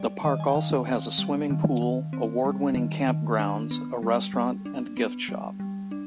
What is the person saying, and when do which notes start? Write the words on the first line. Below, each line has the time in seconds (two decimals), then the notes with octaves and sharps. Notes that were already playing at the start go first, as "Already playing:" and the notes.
The park also has a swimming pool, award-winning campgrounds, a restaurant, and gift shop.
Already playing: G3 D5
0.24 D#3 D#5
0.40 G#5
0.48 G5
0.55 D#3 F5
0.87 C4
1.18 G3
1.50 D#3
1.82 D#3
2.13 C4
2.45 G3
2.76 D#3
3.08 D#3
3.39 D4
3.71 B3
4.02 G3
4.34 G3
4.65 D4
4.97 B3
5.29 G3
5.60 G3
5.91 D4